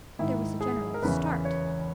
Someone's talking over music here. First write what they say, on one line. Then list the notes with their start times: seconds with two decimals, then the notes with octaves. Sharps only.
There was a general start.
0.19 G#2 D#3 E4
0.61 G#4
0.94 A#4
1.02 E2 C#3 E3 B4
1.45 C#5